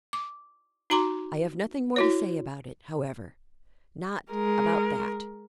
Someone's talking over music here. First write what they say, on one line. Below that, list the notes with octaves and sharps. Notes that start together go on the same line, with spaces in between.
I have nothing more to say about it, however;--not about that.
D6
D#4 F#4 A#5 C6 D6
E4 F#4 C#5
G#3 A#4